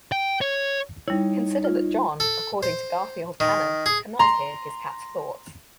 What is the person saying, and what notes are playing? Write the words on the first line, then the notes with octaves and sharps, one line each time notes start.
Consider that Jon, according to Garfield canon, cannot hear his cat's thoughts.
G5
C#5
G3 D#4 E4 C#5
F4
A4
C5
D#3
G#4
A#5 C6